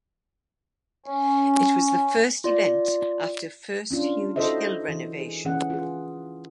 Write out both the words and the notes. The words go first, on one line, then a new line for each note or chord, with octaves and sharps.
It was the first event after first huge hill renovation.
C#4
F4 D5
C#4 D4 F4
E4 F#4 A4 C5 D#5 E5
E3
G#4
E3 C#4 G#4 F#5
F4 G#4